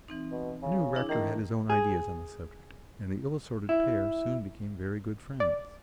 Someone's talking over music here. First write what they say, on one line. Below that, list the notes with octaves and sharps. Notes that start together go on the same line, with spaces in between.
But the new rector had his own ideas on the subject, and the ill-assorted pair soon became very good friends.
E3 C4 D#4
B2
C#3
D4 E4 G#4
D#3 E3 A3 E4
G#4
E4
D5